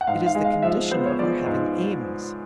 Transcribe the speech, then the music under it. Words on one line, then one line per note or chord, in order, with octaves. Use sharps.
It is the condition of our having aims.
F#5
G#2 F5
F5
G#3
F5
F3 E5
B3 C5
C#5
F3 D5
G#2